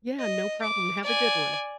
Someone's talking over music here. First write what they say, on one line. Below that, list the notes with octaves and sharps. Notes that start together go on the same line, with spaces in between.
Yeah, no problem, have a good one.
D#5
D6
D5 G#5